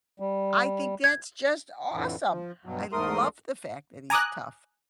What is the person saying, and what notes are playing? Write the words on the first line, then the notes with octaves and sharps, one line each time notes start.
I think that's just awesome! I love the fact that he's tough.
G3
G#6
F2 A2 D3 E3
F3
G2 B2 F#3
E2 G#2 A3 A#4 C6 D#6
G#5 A#5 D6 D#6 F#6